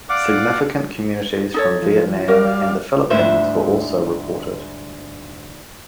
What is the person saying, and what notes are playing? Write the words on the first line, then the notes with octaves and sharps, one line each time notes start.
Significant communities from Vietnam and the Philippines were also reported.
D5 F5 F#5 D6
D#4 A4 C#5
F3
G3 F#4 A#4 D5 F5
D2 G#2 G3 E4 C5 E5